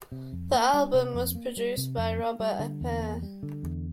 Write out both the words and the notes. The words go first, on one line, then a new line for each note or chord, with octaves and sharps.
The album was produced by Robert Appere.
C3
F2
A#3
G3
C3
F2
A#3
G3
C3
F2
A#3
G3
D3
E2
A#3
G3
D3
E2